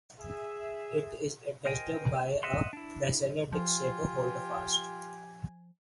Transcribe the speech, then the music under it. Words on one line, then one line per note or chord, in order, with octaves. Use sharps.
It is attached by a basal disc-shaped holdfast.
G#4 E5
A#4 C5 D#5 G5 G#5
D#5 E5 F#5 C6
D4 E4
F3 F4 G4 G#5